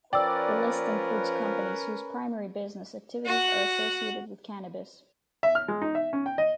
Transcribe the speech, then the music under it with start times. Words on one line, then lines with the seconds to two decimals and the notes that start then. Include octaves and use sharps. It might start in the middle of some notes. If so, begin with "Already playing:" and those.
The list includes companies whose primary business activities are associated with cannabis.
0.13 F3 C#4 A#4 B4 D5 G5 E6
3.25 F#4 F#5
5.43 E5
5.55 F6
5.68 G#3
5.82 D#4
5.95 E5
6.13 C#4
6.26 G5
6.38 D#5